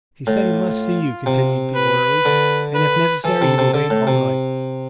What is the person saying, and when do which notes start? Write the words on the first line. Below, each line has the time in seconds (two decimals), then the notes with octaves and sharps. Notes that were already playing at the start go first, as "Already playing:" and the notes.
"He said he must see you," continued the orderly, "and if necessary he would wait all night."
0.27 A2 F4
1.26 C3
1.76 B4
2.25 D3
2.75 B4
3.24 E3 A4
3.41 C3
3.58 C3
3.74 D3 A4
3.90 A2
4.07 C3